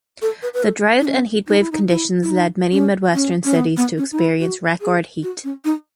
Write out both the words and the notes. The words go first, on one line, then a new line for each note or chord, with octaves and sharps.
The drought and heat wave conditions led many Midwestern cities to experience record heat.
A4
B4
B4
A4
D#4
C#4
D#4
E4
D#4
E4
E4
D#4
C#4
C#4
C#4
B3
B3
C#4
D#4
E4
F#4
G#4
F#4
C#4
D#4